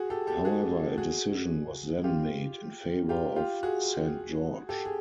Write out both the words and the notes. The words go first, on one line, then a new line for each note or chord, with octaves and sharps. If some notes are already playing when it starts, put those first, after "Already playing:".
However, a decision was then made in favor of Saint George.
Already playing: F#4 G#4
G4 A4
G4 A4
F#4 G#4
F#4 G#4
F4 G4
F4 G4
F4 G4
F#4 G#4
G4 A4
G#4